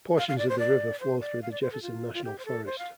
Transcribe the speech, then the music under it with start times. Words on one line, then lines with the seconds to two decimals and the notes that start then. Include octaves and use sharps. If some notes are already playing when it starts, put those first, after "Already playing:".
Portions of the river flow through the Jefferson National Forest.
0.18 F5
0.28 F5
0.38 D5
0.49 C5
0.59 D5
1.00 C5
1.20 D5
1.42 F5
1.51 D5
1.62 C5
1.72 A4
1.82 F4
2.14 F4
2.24 G4
2.39 C5
2.45 A4
2.66 C5
2.78 F5